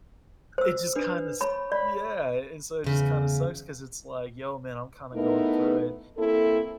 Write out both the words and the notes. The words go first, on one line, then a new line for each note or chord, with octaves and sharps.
it just kinda s yeah, and so it just kinda sucks 'cause it's like, "Yo, man, I'm kinda going through it,"
C5 E6
D4 B4
C#5 B5
D5 B5
E2 C#3
A3 B3 D#4 E4 A#4 B4
A#3 C4 E4 A4